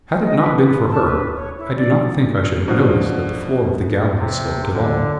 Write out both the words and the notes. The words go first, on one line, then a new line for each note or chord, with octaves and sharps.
Had it not been for her I do not think I should have noticed that the floor of the gallery sloped at all.
D#5
B4
B4
A5
B4
C#5
E4
D5
B2 F3 D4 F#4 F6
C3
D3